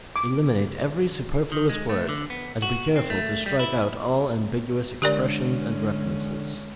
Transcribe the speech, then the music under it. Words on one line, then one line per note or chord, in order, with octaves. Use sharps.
Eliminate every superfluous word and be careful to strike out all ambiguous expressions and references.
D6
D#3
G#3
A3
D3
B3
F#4
C4
A3
G3
E4
D3 G#3 C#4 G4 A#4 D5